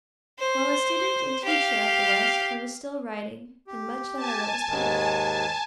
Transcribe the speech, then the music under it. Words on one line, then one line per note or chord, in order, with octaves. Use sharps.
While a student and teacher at the West I was still writing, and much that I wrote was published.
C5
G4 F5
G4
G#5 A5
D#2 G#2 D#3